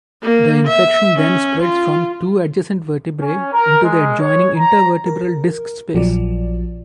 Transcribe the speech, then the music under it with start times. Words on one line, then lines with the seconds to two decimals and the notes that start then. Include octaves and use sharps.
The infection then spreads from two adjacent vertebrae into the adjoining intervertebral disc space.
0.23 A#3
0.68 E5
1.17 C#4
1.63 F4
3.21 C#4
3.52 A#4
3.83 G#3
4.20 C#5
4.56 A#5
5.06 A#4
5.95 A#1 F3 F#3 D5